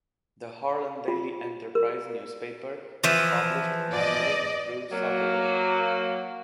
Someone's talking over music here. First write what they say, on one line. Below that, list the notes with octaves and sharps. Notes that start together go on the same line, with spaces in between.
"The Harlan Daily Enterprise" newspaper is published Monday through Saturday.
F4
A#4
E3 F3
D5 D#5
F#3 A#3